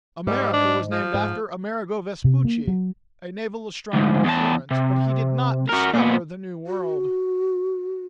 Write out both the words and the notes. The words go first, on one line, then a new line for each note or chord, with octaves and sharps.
America was named after Amerigo Vespucci, a naval astronomer of Florence, but he did not discover the New World.
G#2 G3
D4
F3
G#2
C3
A#3
F#3
D2 G#2
E2 A5
C3
F#4 A#4
A#2 B3
F#4